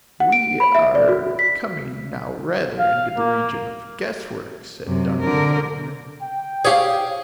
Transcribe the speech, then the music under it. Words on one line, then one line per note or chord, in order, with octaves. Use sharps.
"We are coming now rather into the region of guesswork," said Dr. Mortimer.
F#5
D7
B5
E5
D5
F#4
B6
F5
A#3
F#2 C3
D3 A#4
G5
G4 G#4 C#5 F5